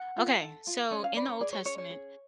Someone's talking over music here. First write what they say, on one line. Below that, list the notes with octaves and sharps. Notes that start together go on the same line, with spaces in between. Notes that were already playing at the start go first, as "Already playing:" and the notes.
Okay, so, in the Old Testament,
Already playing: F#5
F4
A4
F4
C#4 D5
F5
B4 D5
C#5
G#4 D5
C#5
C#4 C#5
C#5
G#4